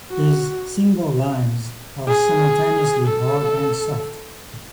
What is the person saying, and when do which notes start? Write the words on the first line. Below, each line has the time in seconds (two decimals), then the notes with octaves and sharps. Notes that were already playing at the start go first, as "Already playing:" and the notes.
His single-lines are simultaneously hard and soft.
0.11 F#4
2.08 G#4
3.06 A4